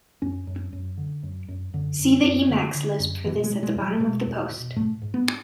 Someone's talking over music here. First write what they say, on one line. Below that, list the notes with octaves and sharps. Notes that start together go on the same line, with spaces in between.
See the Emacs lisp for this at the bottom of the post.
F#2 C#4
F#2
F#2
D3
F#2
F#2
F#2 D3
F#2
F#2
D3
D3
F#2
B2 E3
G#3
B2
G#3
E2
F#3
B2 G#3
E2
B2
G#2 A3
G#2
B3